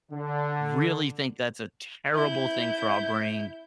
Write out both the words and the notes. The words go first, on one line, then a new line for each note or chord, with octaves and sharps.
really think that's a terrible thing for our brain,
D3
E4 G6